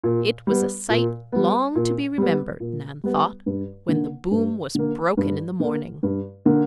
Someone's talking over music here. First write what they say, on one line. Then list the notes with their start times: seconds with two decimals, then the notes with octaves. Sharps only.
It was a sight long to be remembered, Nan thought, when the boom was broken in the morning.
0.04 A#2
0.47 G3 B3
0.90 A#2
1.32 G3 B3
1.75 A#2
2.18 G3 B3
2.60 A#2
3.04 G3 B3
3.46 G2
3.89 D3 A#3
4.31 G2
4.75 D3 A#3
5.17 G2
5.60 D3 A#3
6.03 G2
6.45 D3 A#3